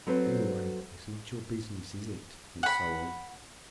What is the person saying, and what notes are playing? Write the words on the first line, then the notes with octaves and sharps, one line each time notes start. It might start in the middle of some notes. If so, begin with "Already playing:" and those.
"Anyway, it's not your business, is it?" And so on.
F#3 C4 A4 B4 C5
F#5 B5